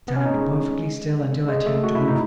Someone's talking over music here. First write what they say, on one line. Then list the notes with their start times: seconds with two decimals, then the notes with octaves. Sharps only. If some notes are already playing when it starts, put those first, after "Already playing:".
"Stand perfectly still until I tell you to move."
0.08 B3
0.16 C#4
0.25 D#4
0.34 G#3
1.48 G#3
1.66 A3
1.83 F#4
1.95 E4
2.08 D#4